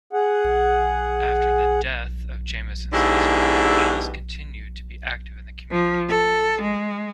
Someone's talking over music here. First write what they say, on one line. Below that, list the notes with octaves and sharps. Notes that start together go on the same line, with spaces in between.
After the death of Jamieson's husband, Alice continued to be active in the community.
G#4 F#5
G#2 B2 D3 E4 G4 G#4
F3
A4
G#3